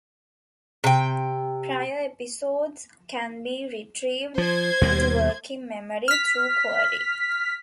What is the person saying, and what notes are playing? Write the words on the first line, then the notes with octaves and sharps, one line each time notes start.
Prior episodes can be retrieved into working memory through query.
C3 G5
F3 C5 G#6
D#2 B2 G3
F6 B6